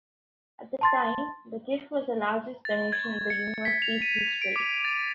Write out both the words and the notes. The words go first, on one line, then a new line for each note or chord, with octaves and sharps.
At the time, the gift was the largest donation in the university's history.
A5 C6 A6
A6
G#6
C#7
B6
F7
D#7
D7
D6
A6